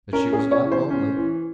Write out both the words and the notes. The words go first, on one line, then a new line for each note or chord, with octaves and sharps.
But she was not lonely.
C#4 A#4
G#4
C#4
C#5
E3
C5
C#4
E3